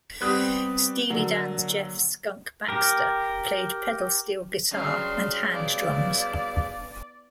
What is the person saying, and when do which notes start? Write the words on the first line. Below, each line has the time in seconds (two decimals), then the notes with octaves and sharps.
Steely Dan's Jeff "Skunk" Baxter played pedal steel guitar and hand drums.
0.21 G3 B3 C4 G4 D#6 F#6
1.10 D3 F#3 A#3
2.69 G4 A#4
4.71 G2 C#3 F#3 F5 C6
5.51 B3 E4 D5 F5